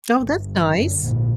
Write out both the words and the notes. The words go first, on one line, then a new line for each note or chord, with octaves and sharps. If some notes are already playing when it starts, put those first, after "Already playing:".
Oh, that's nice.
G1
F#2 D3
A#1 G#2